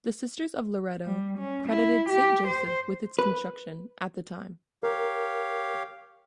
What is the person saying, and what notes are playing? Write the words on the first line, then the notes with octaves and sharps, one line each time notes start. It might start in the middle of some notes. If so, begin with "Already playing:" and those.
The Sisters of Loretto credited Saint Joseph with its construction, at the time.
G3
C#4
E4
G4
C5
B4
G4 A#4 C#5 F5